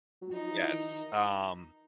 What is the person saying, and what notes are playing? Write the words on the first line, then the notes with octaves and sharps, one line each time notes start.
Y yes, um,
F#3
F3 D#4
E3
D#3